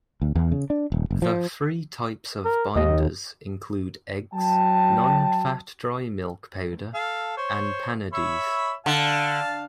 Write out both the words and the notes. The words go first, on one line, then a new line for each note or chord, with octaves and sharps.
The three types of binders include eggs, nonfat dry milk powder, and panades.
D2
E2
C#3
D4
D#1
F#1
F3
A#4
D#2 D#5
F#3 G5 A5
A4 F5
C5 C#5
C#5 E5 B5
D3 F5 A5